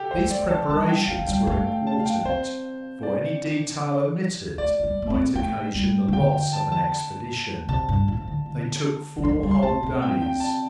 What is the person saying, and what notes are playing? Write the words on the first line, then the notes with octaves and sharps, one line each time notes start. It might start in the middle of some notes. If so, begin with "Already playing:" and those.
These preparations were important, for any detail omitted might occasion the loss of an expedition; they took four whole days.
Already playing: G4 A4
C4 C5
A3
D5
A3
A5
G3 A5
G5
G5
G3 F5
F3
G3 G5
A3 F5
G5
A5
F5
G5
C4 C5
D5
A3 D5
A3
G3
A3
C4
A3 G5
G3
C3
D3 G5
G5
A5
A5
C3 A5
G2
A2
F3
D3
D3
G3
F3 C6
G3
C6
A3 A5
C4
G5
G5
A5